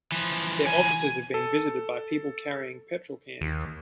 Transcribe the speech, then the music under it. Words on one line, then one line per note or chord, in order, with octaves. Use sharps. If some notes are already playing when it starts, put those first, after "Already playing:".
Their offices have been visited by people carrying petrol cans.
E3 F3
G#5
A4
D#2